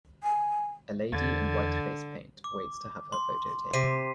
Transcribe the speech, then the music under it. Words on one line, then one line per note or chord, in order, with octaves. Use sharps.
A lady in white face paint waits to have her photo taken.
G#5
E2 D3 G#6 A6
D6
C6
C3 B6 C7 D#7